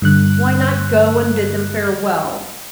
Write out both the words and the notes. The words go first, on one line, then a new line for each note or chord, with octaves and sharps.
Why not go and bid them farewell?
G2 D3 F#6